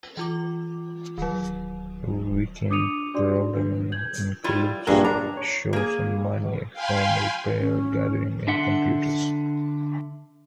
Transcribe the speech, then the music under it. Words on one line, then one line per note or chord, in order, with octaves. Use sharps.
Weekend programming includes shows on money, home repair, gardening and computers.
E3 F4 D6
D1 D#3 F#3
D4 D6 D#6 C#7 D#7 F7
D4 F#4 D5 C6
D4 B4
G6 G#6 F#7
G3 E4 F4
A#1 G2 F#3 F#4 G#4 A#4
D4 A#5
C#5
A#3 G#4
F5 G5 G#5 B5 C6
C#4
D3 D4 E5 F#5 C6